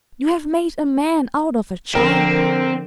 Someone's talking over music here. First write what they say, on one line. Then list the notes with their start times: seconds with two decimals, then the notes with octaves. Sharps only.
You have made a man out of a child.
1.95 D3 F3 C4 A#4